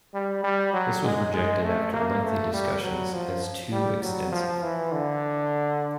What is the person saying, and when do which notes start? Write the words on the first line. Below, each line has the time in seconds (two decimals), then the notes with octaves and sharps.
This was rejected after lengthy discussions as too extensive.
0.14 G3
0.44 G3
0.73 F#3
1.04 G#3
1.33 G#3
1.64 A3
1.94 A#3
2.23 A3
2.54 G3
2.82 F#3
3.13 F3
3.72 G3
4.02 F#3
4.32 F3
4.63 E3
4.92 D3